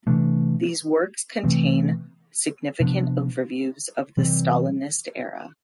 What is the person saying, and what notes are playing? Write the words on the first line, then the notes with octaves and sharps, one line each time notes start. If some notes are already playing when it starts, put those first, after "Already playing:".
These works contain significant overviews of the Stalinist era.
C3 E3 A3 D4
C3 E3 A3 C4
C3 F3 B3 D4
C3 E3 G3 C4